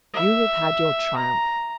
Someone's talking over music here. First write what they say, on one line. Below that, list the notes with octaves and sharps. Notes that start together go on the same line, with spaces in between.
"You have had your triumph."
E5
A#5